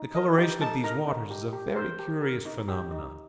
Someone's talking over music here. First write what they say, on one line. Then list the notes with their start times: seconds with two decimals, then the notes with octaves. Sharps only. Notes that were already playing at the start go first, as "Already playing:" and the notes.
The coloration of these waters is a very curious phenomenon.
Already playing: D#4
0.15 A#4 D#5
0.38 D#4 G4 G5
0.61 D#4 A4 A5
0.84 D#4 A#4 A#5
1.08 D#4
1.31 G4
1.53 G4
1.76 A#4 C5 C6
1.99 G4
2.22 A#4
2.45 D#4
2.68 G4
2.91 D#4